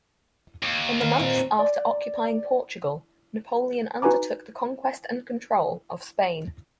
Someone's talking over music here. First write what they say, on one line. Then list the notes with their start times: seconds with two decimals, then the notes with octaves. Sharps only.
In the months after occupying Portugal, Napoleon undertook the conquest and control of Spain.
0.63 D#2
1.00 D#3 A#4 B4
1.19 A#2 C4
1.59 D5
4.02 D#4 F#4 B4 G#5 A#5 D6